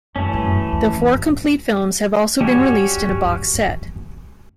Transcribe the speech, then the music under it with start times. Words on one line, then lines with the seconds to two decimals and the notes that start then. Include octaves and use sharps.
The four complete films have also been released in a box set.
0.16 F#2 E3 A3 C#4
0.33 G2
0.44 F#2
0.72 E2
0.86 E2
1.00 F#2
1.14 F#2
1.29 E2
2.41 G3 C#4 F#4 C#5
2.55 G2
2.69 G2
2.96 E2
3.11 G2
3.25 G2
3.35 E2
3.39 F#2
3.54 F#2
3.67 E3
3.82 B3
3.96 B3